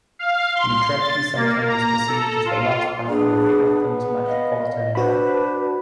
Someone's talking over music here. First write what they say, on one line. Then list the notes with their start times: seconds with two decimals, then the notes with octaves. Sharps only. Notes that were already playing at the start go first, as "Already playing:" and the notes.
Loutraki sometimes is perceived as the last boundary of the Athens metropolitan area.
0.19 F5
0.55 C6
1.00 A6
1.36 A#3
1.68 A#5
2.07 A4
2.45 F4
3.08 B3 D4 G#4
4.27 D#5 F5
4.95 D4 F#4 B4 C5 B5